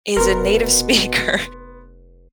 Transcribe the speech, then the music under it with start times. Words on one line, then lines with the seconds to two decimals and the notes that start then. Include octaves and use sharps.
is a native speaker
0.17 F1 B2 B3 A#4 C6